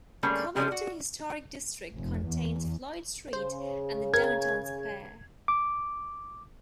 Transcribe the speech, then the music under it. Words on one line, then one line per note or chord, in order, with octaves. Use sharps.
The Covington Historic District contains Floyd Street and the downtown square.
D3 G3 A3 A#3 C#4 G#4
C#3 F3 G3 G#3 C4 C#4
F#4
F1
E2
C#3 C5
A#4 G#6
D6